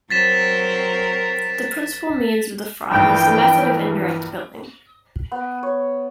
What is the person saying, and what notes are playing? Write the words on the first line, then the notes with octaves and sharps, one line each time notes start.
The principal means of the fraud was the method of indirect billing.
F#3 C4 A#4 A6 B6 E7
A#1 G2 E3 G5
B3
C#5